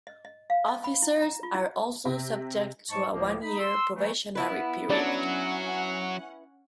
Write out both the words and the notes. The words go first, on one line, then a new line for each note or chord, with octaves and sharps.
Officers are also subject to a one-year probationary period.
D#5
D#5
F5
D#5
B5
E4
A#5
F4
E4
C3
G#2 F#3 G#3 A5 C#6
C#2 A2 F3 A#3
D#4 B5
C6 E6
E3 F#3 A3
B3 E4 B4
F#3 C#4 D4 D5 F#5